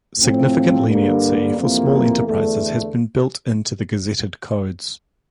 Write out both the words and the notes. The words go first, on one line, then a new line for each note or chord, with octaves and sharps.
Significant leniency for Small Enterprises has been built into the gazetted codes.
A2 F3 C4
G2 D3 G3 A#3
F2 C3 E3 A#3 F4
E2 D3 A3